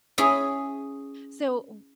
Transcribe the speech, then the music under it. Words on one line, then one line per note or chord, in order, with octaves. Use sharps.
So, w
C#4 E4 G#4